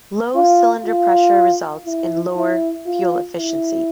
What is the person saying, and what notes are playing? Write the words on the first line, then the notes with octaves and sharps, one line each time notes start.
Low cylinder pressure results in lower fuel efficiency.
F4
F4
E4
E4
F4
E4